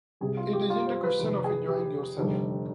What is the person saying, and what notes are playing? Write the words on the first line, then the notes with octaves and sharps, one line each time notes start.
It isn't a question of enjoying yourself.
C2 C3 G3 G#4
F4
G4
F4
C5
B4
F1 D#2 D#3 B4
G#4
G4
F1 D#2 D3 G3